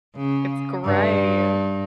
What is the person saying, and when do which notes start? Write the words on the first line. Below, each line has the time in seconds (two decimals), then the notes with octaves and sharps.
It's gray.
0.16 C#3
0.85 G2